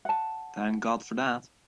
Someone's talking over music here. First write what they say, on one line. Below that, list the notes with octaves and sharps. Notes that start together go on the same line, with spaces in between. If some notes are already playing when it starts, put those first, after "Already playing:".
Thank God for that!
F#5 A5